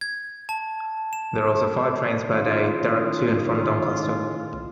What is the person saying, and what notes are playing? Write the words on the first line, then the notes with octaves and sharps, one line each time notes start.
There are also five trains per day direct to and from Doncaster.
G#6
A5
E7
A2 D#3 G#3 C#4 F4